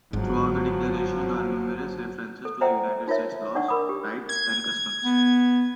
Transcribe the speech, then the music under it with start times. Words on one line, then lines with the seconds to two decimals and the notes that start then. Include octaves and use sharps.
Throughout the declaration are numerous references to the United States laws, rights, and customs.
0.13 G1 G#2 F3 F#3
2.45 A4
2.61 C5 D5 E5 F#5 G5 A#5
3.08 D#4 F4 A#4 C#5 E5
3.55 D4 D#4 D5 F#5 C#6
3.68 A#4 B5 D6 D#6
3.89 G4
4.29 G#6
5.04 B3